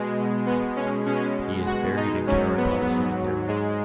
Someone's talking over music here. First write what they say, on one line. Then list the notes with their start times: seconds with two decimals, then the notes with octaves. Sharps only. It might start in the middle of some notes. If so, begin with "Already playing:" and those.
He is buried in Karrakatta Cemetery.
Already playing: B2 G#3
0.46 B3
0.76 C#4
1.06 B2 G#3 C#4
1.67 F#4
1.97 D#4
2.27 G#2 F#3 C#4
2.58 B3
3.47 G#2 G#3